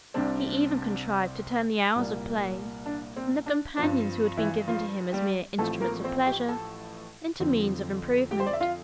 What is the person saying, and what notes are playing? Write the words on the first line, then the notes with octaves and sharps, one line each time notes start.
He even contrived to turn the hours of play, and the companions who had been given to him as mere instruments of pleasure, into means of improvement.
C2 C3 G3 C4 D4
C2 A#2 G3 A#3
D4
C4
D4
G2 F3 C4 D4
E3 E4
F3 F4
G3 G4
A1 A2 F3 A3 C4 A4
A#3 A#4
C4 C5
G4 G5
A4 A5
F2 D3 F3 C4
G4 G5
C5
D5
E5
F4 F5